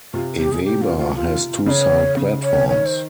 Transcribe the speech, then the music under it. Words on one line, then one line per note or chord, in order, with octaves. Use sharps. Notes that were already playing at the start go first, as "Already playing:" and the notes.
Awaba has two side platforms.
C3 F4
G4
G#4
G4
F4
F4
F4
C#3 C#5 D#5
C#3
C#5
D#3 C#5
C5